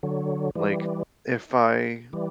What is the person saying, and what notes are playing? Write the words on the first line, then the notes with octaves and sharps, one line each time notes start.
Like, if I
D3 F#3
E3 G3
E3 G3